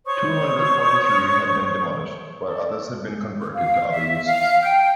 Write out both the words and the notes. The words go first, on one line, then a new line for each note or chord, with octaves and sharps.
Two-hundred forty three had been demolished while others had been converted to other uses.
C5 C#5 C#6 D#6
A4
F5
E5
F5
G5